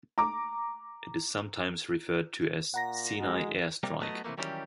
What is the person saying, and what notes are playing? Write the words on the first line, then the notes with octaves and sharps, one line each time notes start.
It is sometimes referred to as "Sinai Air Strike".
A#5 D6
A#2 F#5 A#5 A#6
G#3 F#4
C3 G3 A#3
F#3 A3 B3 D#5
C3 E3 F#3 A3 A#3
D#3 E3 F#3 G3 C#4 G4